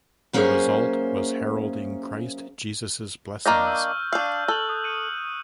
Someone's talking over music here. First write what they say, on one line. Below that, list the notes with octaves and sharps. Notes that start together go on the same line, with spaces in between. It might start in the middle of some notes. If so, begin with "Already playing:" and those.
The result was Heralding Christ Jesus' Blessings.
F#3 A#3 C#4 G#4 C5 E5
A#3 D4 D#5 C#6 F6 G6
E6
D4 F5 E6 G6
A4 F#6 F#7
D#6
C#7 D#7